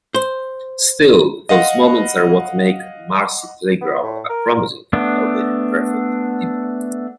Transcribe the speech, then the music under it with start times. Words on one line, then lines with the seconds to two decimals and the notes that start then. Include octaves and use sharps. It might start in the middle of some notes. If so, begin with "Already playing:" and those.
Still, those moments are what make "Marcy Playground" a promising, albeit imperfect, debut.
0.14 C5
1.49 D#5 F5 F#5 A#6
3.81 B3
4.04 A2
4.30 A#4
4.93 A3 B3 D4